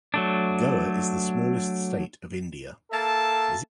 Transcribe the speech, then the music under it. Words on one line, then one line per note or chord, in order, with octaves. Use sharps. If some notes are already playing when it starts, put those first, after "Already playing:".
Goa is the smallest state of India.
F#3 A3 D4
A#3 A4 E5 A5